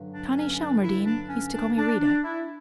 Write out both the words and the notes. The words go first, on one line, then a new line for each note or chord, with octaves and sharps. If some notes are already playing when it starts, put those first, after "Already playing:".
Connie Shelmardine used to call me Rita.
Already playing: G2 D3 F#3
D4
C#4
D4
E4
D4
C#4
D4
D4
D4
E4